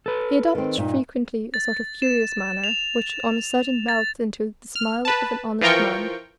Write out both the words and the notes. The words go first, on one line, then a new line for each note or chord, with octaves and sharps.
He adopts frequently a sort of furious manner which on a sudden melts into the smile of an honest man.
A4 B4
D#3 C4
G2 A#2 D#4
A6
E7
F7
A6
F6
B4 A5
E3 F3 F4 A#4 G5 C#6